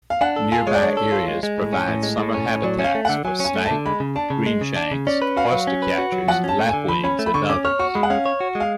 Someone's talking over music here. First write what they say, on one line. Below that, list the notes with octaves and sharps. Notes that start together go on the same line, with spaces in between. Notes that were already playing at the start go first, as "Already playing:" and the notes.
Nearby areas provide summer habitats for snipe, greenshanks, oystercatchers, lapwings and others.
F5
D4 F#5
A4
F4 G#5
G#3 C#5
D5
D4 C#5
A4
F4
G#3
G#3
A2
C#4
A2
G#3
A2
C#4
A2
F#3 D5
C#4
F5
A3
F#5
D3
F#3 G#5
C#4 G#5
A3
A5
D3
G#3 B5
C#3
D4 A5
C#3
G#3
C#3
D4
C#3
C#4 D5
B4
F#4 F5
F#3
C#4
B4
F#4
F#3
F3 F#5
C#4 A5
A3
G#5
D3
F3 B5
C#4 B5
A3
B5
D3 C#6
C#4 D6
C#5 F6
F#4 C#6
G#3 B5
F#5
C#4 F5
C#5
F#4
G#3
F5